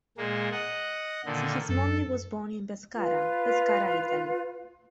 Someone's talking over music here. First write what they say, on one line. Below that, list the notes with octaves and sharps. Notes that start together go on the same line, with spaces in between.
Sigismondi was born in Pescara, Pescara, Italy.
A#2 G#3 A#3
D#5 F#5
A#2 D3 D#3
F#2 A4
F4 B4